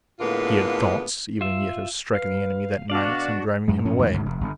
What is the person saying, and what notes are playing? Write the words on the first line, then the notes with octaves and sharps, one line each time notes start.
He had thoughts even yet of striking the enemy that night and driving him away.
A2 D3 G#3 A#3 B3 F4
F4 E5
B4 F5
B2 D4 F#4 D5 F5
F#2 G#3
G#2 F3 C#4
F2 G#2 D#3
D2 G#2 C#3
F1
G1